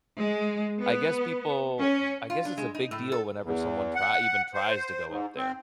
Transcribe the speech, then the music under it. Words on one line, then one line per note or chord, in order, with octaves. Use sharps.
I guess people I guess it's a big deal whenever someone trie even tries to go up there.
G#3
B3
C#4
F4
D4
G#3
D#4
A2
A4
E2
F#5
C5
G#2
C4